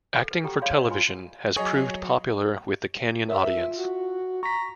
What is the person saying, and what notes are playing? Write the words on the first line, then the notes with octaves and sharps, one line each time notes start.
Acting for television has proved popular with the Kenyan audience.
A4
B4
G4 A4 F#5 G5 A#5 C#6
G#4 C#5 D5 F5 B5 C6
C#5 D#5
F4 B4 G#5 C6
F#3 G#4 C#5 D#5
A#4 E5
F4
F#4
A#5 C#6 B6